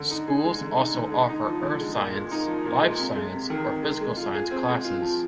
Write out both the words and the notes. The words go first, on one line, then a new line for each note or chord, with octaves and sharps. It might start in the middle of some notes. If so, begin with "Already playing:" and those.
Schools also offer Earth Science, Life Science, or Physical Science classes.
Already playing: D3
D#4
G#4
G#3
D3
D#4
D3
G#3
D#4
F3
D3
G#3
A#2
G#3
D#4
F3
A#2
G#3
C3
G#3
C3
D#3
C3
G#3
G#3
F4
G#4
C4
G#3
F4
F3